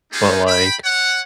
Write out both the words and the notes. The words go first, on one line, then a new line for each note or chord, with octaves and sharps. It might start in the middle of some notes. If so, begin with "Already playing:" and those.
but, like
A3 B3 D#4 F4 G4 G#4
G5 B5
C#5 F#5